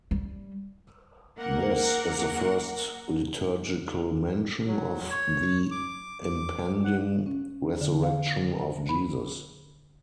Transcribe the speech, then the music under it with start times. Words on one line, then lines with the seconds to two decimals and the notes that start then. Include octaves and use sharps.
This is the first liturgical mention of the impending Resurrection of Jesus.
0.11 G3
1.37 A#3 A#4 F#5
4.67 F#3
5.10 C#5
5.71 D6
6.24 D6
6.84 F#5
7.26 C#4
7.81 D3
8.03 F5
8.89 B5